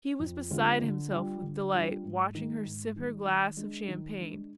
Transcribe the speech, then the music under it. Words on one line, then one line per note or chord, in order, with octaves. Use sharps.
He was beside himself with delight, watching her sip her glass of champagne.
F2
D3 G#3 C4 F4
D3
G3 D4 F4
D3
G3 D4 F4
G#2
D#3 G#3
G#2
D#3 G#3
D#3
G#3 D4
D#3
G#3 D4